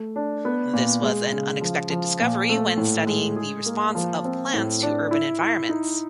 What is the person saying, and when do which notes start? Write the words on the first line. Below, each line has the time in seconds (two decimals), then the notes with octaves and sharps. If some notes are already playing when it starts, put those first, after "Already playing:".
This was an unexpected discovery when studying the response of plants to urban environments.
Already playing: A3
0.16 D4
0.45 B3
0.73 A#2
1.02 G#3
1.32 C#3
1.61 F3
1.90 F3
2.20 A#2
2.49 A3
2.77 A2
3.07 G#3
3.36 G#4
3.66 A#3
3.95 F3
4.24 C4
4.54 A2
4.83 D4
5.11 E4
5.41 E4
5.69 D#4